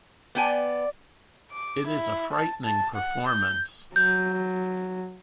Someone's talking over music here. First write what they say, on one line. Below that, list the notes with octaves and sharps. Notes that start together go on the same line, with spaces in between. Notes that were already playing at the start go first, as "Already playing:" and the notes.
It is a frightening performance.
B3 D5 G5 G#5
D6
E4
A5
A5
F#5
G6
F#3 G6